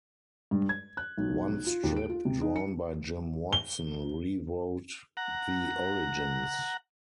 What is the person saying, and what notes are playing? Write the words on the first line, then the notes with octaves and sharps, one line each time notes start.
One strip drawn by Jim Watson rewrote the origins.
G2
G#6
F#6
B1
F4
D#2
D7
F4
C3
D#4
C#7
G7
F#5 A#5